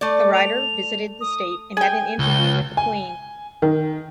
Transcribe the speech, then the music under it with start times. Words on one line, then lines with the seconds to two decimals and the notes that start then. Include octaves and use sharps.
The writer visited the state and had an interview with the queen.
0.01 A3 D5
0.34 F7
1.21 D#6
1.77 G#4 G5 G#5
2.19 C#2 G7
2.77 G#5
3.62 D#3